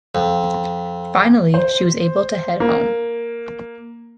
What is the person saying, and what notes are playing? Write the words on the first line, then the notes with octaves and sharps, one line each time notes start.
Finally, she was able to head home.
F2
C5
A#3